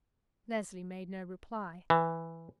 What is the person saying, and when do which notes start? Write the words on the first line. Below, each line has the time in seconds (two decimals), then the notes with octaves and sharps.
Leslie made no reply.
1.90 E3